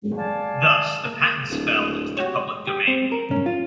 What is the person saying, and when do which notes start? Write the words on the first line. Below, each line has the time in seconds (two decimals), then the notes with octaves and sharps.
Thus the patents fell into the public domain.
0.17 D5 F5 G#5 A5
1.05 A#3
1.50 D1
2.17 F#4 G4 C#5
2.67 G4
2.88 C4
3.12 A#4
3.31 C#4
3.46 F4